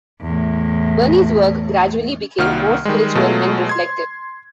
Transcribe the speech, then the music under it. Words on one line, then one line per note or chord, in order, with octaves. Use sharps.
Berni's work gradually became more spiritual and reflective.
E2 A2
C2 D#3 A#3 F#5 F6
D#3 G3 G#3
B2 F#3 G#3 A3 F4 A4
C6 G#6